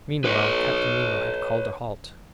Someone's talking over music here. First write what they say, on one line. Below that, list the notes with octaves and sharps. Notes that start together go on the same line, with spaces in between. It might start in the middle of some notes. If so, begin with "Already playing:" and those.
Meanwhile Captain Nemo had called a halt.
B4 C#5